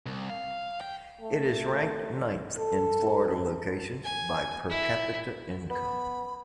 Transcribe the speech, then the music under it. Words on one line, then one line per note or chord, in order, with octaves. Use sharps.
It is ranked ninth in Florida locations by per capita income.
C2
F5
G5
A3
A4
G#5
E4
B3 B5